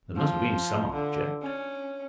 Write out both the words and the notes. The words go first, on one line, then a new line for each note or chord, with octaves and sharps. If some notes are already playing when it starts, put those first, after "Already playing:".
There must have been some object.
F3
D3
C#4